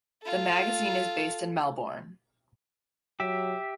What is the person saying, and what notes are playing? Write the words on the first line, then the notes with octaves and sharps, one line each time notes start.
The magazine is based in Melbourne.
F4 A4
F#3 G4 E5